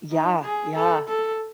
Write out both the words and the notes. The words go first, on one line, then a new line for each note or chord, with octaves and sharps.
Yeah, yeah.
D#4
G#4
A4
A4